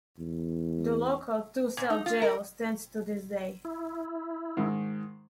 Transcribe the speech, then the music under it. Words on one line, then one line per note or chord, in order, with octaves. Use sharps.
The local two-cell jail stands to this day.
E2
A#2
D#4
F4
A#4
E4
G#2 D#3